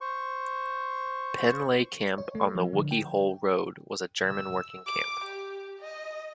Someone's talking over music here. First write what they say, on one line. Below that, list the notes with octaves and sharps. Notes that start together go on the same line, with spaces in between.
Penleigh Camp on the Wookey Hole Road was a German working camp.
C5 C#6
C#5
A3
F3
D3
G5
E6
D6
G4
D#5